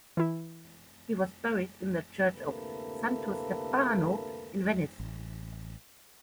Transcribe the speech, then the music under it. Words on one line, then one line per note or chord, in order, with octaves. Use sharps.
He was buried in the church of Santo Stefano in Venice.
E3 E4
D2 C3 A#3 E4 A4 B4
A1